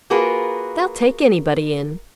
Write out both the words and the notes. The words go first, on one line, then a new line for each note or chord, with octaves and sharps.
They'll take anybody in.
A#3 F4 F#4 G#4 A#4 B4